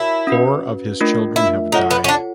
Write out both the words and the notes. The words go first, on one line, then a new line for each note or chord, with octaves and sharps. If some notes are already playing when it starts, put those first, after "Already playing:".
Four of his children have died.
Already playing: E4 F#4 A#4 C#5 A5
C#4 F#4 B4
A3 D4 F4 A#4 D#5
E4
D#4 F4 A4 C#5 F#5
B3
C#4
D4